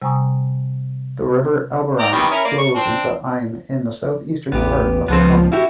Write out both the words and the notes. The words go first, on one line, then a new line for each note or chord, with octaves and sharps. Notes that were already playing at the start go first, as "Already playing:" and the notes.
The river Albarine flows into the Ain in the southeastern part of the commune.
C3 G3 G#5 A#5 C#6 D#6
D5 G5 A#5
D#3 E3 G3
C#4 E4 A#4
A#3 D5
C#6
C4 D4
A1 E2 B3 G4
C#2 F3 B3 C4
E4 F#4 G4